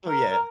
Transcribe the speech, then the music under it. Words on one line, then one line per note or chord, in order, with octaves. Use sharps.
Oh, yeah.
A#4
A#4